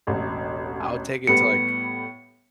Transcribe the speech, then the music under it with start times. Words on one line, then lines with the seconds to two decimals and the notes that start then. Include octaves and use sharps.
I'll take it to, like,
0.07 E1 A1
1.27 A2 G3 B3 C#7